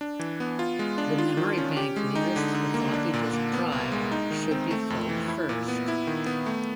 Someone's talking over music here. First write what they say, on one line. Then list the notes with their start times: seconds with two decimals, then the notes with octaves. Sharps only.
The memory bank nearest the floppy disk drive should be filled first.
0.01 D4
0.19 E3
0.40 B3
0.59 F4
0.79 G#3
0.98 D4
1.18 F4
1.37 D#3
1.58 C#4
1.77 G4
1.96 G#3
2.15 D#4
2.36 D3
2.54 D3
2.74 A#3
2.94 D4
3.14 A#2
3.33 A#3
3.53 B3
3.72 C2
3.92 G#3
4.12 D#4
4.31 D#3
4.51 C4
4.71 A3
4.90 F2
5.09 E3
5.28 E4
5.49 A#2
5.68 B3
5.88 E4
6.07 D#3
6.26 B3
6.46 A3